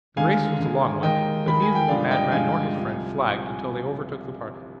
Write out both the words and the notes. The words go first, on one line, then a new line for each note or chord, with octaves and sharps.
The race was a long one, but neither the madman nor his friend flagged until they overtook the party.
D#2 D3 G#3 F5 G#5
D#2 D3 G#3
D#2 D#3 G#3 D#5 G5
D#2 D#3 G#3 B5
G#5
G5
G2 D3 F3 G#3 D5 F5
D#5 G5
G2 D3 F3 G#3 F5 G#5
C2 C3 F3